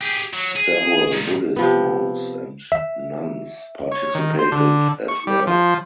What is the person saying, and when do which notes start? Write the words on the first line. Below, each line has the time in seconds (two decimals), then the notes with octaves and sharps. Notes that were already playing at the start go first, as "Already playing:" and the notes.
Several Buddhist monks and nuns participated as well.
0.01 G4 G#4
0.33 F#3
0.56 G#4
1.12 A#2 D#3
1.56 C3 F3 B3
2.72 E5
3.92 C#5
4.15 D#3
4.39 C5
4.52 D3
5.08 C#6
5.27 G3
5.47 F3